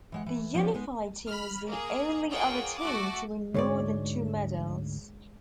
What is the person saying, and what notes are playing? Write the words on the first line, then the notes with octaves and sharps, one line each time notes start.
The Unified Team was the only other team to win more than two medals.
E3 G#3 F#5
E3
F3 B3 C#4 D4 G4
G#3 B3 D#4
B5 F6
A#3 G#4
A#3 F4 G#4 C#5 F#5 G5
A3 F#4 F#5 D6
D2 G#2 G#3 C#5 D5